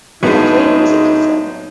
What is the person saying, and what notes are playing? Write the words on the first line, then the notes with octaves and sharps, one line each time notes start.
I played music, he said.
A2 F#3 G#3 B3 D4 D#4